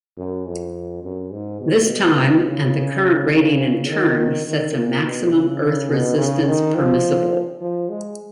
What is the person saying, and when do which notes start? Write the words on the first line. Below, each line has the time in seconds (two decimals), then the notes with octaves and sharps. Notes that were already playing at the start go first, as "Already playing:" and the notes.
This time and the current rating in turn sets a maximum earth resistance permissible.
0.17 F#2
0.46 F2
1.03 F#2
1.32 G#2
1.61 B2
2.46 C#3
3.33 C#3
3.89 D#3
4.47 D#3
4.75 A#2
5.03 B2
5.32 C#3
5.89 B2
6.18 C#3
6.46 D#3
6.75 F3
7.61 F3
7.89 G#3